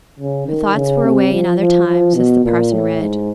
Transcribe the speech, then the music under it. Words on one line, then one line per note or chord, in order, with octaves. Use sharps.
Her thoughts were away in other times as the parson read.
C#3
D#3
C#3
C3
F3
F3
F3
B2
A#2
A2
G#2